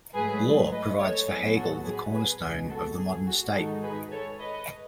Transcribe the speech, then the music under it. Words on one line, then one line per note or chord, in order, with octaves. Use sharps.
Law provides for Hegel the cornerstone of the modern state.
G#2 F#3 A3 G#4 B4
B4 D#5
A4 C#5
A2 F#3 B3 G#4
F#4 A4
G#4 B4
G#4 B4
C#2 B2 G#3 G#4
F#4 A4
G#4
F#4
G#2 D#3 G#3 D#4 F#4 A4
G#4 B4
A4 C#5
B4 D#5